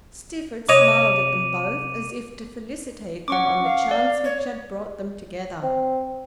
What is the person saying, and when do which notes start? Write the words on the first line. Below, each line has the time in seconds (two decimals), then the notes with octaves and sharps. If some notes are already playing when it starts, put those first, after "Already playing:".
Stifford smiled at them both, as if to felicitate them on the chance which had brought them together.
0.69 C3 C#5 D#5 D6 D#7 F7
3.28 C#4 F#5 C#6 D6
3.63 F5
3.91 D5
4.24 C#5
5.63 C4